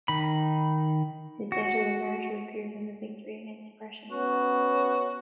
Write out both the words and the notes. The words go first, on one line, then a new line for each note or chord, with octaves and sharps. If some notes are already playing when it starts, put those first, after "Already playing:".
His death as a martyr appears as a victory against oppression.
D#3 B5
F#4
B3 C#4 F#4